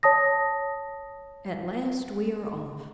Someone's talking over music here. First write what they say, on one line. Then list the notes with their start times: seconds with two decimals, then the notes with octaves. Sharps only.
At last we are off.
0.03 C#5 A5 D#6 A#6